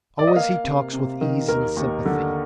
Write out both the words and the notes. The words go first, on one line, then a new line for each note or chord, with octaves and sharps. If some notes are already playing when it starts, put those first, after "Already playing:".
Always he talks with ease and sympathy.
D5
D#5
A#3 F5
C3
C3
D#3
D#2 A#4
D#2
D3